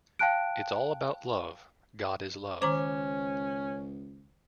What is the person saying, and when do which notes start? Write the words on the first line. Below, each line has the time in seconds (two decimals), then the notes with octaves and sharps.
It's all about love - God is love.
0.19 F5 G5 A5 F#6 D7
2.62 C#2 D#3 C#4 C5 A#5 D6